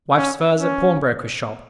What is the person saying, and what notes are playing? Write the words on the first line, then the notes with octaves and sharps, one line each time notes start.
Wife's furs at pawnbroker's shop.
C#4
C#4